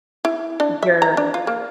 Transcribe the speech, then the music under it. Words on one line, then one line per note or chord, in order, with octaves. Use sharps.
n you're
E4
D4
E5
A#5
D4
F4
A#3